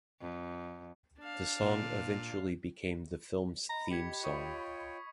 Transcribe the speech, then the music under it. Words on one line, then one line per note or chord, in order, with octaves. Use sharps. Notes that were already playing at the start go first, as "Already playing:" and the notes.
The song eventually became the film's theme song.
F2
D4 F5
A#2
D#5 A#5 B5
G4 G#6 B6 C#7
F4 C#5 G5 C#6 D#6